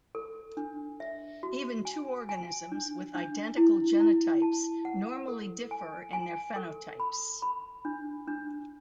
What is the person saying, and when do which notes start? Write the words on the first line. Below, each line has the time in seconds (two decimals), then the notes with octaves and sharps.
Even two organisms with identical genotypes normally differ in their phenotypes.
0.15 A4
0.57 D4
1.00 E5
1.43 F#4
1.85 G#5
2.29 G#5
2.72 D4
3.15 D4
3.57 E4
4.00 E4
4.42 A5
4.85 F#5
5.28 A4
5.71 G#5
6.13 G#5
6.56 A4
7.00 B5
7.42 B5
7.85 D4
8.28 D4